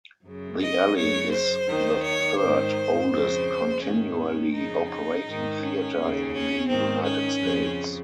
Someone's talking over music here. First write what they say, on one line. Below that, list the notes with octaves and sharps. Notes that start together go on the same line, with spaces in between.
The Alley is the third oldest continually operating theatre in the United States.
F#2 C#3
D#5
F#2 C#3 C#5
C5
D#2 D#3
C#5
G#2 D#3 C5
F2 C#3 C5
G#2 D#3 C#4
C#4
F2 C#3 D#4
D#4
G#2 D#3
C#4
D#2
C#3
C#4
G#2 D#3 C4
C#4
F2 C#3